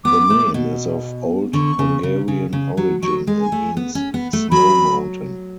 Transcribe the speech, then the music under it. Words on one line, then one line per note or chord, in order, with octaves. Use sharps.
The name is of Old Hungarian origin and means 'snow mountain'.
B3 D6
A3
B2
D3 C#6
C#3
C#3
C#3
C#3
F#3
F#3 C#6
G#3
G#5
A3
B3
C#4
B3
A3
F#3 B5